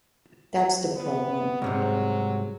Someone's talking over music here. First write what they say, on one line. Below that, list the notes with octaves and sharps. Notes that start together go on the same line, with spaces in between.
That's the problem.
B3
C2 G#2 C3 F#3